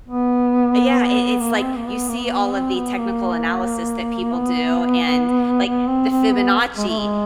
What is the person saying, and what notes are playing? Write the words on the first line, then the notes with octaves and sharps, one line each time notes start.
E Yeah, it it it's, like, you see all of the technical analysis that people do, and, like, the Fibonacci,
B3
A#3
B3
C4
A#3
B3
A#3
B3
A#3
B3
C4
B3
A#3
B3
B3
C4
C4
B3
G#3
A3
G#3